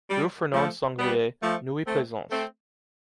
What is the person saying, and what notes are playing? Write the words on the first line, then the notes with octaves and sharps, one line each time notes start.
Rue Fernand Sanglier, Neuilly-Plaisance.
G3
F3 A3
G3 B3
F3 A3
A3 C4
A3 C4